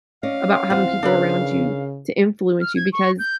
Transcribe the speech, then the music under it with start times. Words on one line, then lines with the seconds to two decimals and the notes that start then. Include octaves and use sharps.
about having people around you to influence you because
0.23 C#4 D5 D#5 F5
0.70 E2 C4 F4 C5 F#5
1.03 C#3 D4 E4 A#4 B4
2.61 F6
2.76 G#6
2.93 C#6
3.19 G6